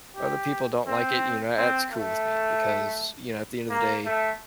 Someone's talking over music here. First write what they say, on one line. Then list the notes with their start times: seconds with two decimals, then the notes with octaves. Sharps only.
other people don't like it, you know, that's cool with me because you know, at the end of the day,
0.16 G4
0.86 C4
1.58 C4
1.92 A3
3.70 A#3
4.05 A3